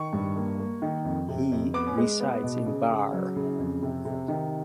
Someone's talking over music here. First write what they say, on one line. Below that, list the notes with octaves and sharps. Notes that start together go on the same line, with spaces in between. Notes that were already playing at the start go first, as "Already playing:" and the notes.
He resides in Baar.
Already playing: D#3 C#6
G2
A#3
A#3
D#3
F2
C3
F2
B3 D6
G#3
B3
B2
C#3
C#3
F#3
C#3
F2
C3
C3
D#3